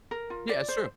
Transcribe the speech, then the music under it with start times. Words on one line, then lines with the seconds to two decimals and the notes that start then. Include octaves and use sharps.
Yeah, it's true.
0.11 A#4
0.30 F4
0.49 D5
0.69 C5